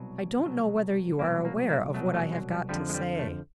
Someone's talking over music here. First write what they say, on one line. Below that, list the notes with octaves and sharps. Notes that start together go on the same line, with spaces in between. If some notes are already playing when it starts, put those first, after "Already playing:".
"I don't know whether you are aware of what I have got to say."
Already playing: C2 B2 F#3
C2 B2 F#3
C2 B2 F#3 A#3
A#3
A#3
C2 B2 F#3 A3
A3
G#3
G3
F2 D3 F3 G3
G#3
G3
A3